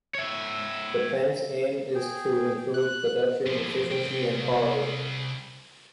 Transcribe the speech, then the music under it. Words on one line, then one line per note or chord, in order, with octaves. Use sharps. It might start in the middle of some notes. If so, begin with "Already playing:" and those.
The plan's aim is to improve production efficiency and quality.
C#5 E5
G#4 G5
F#6
A2 F3
C2 G5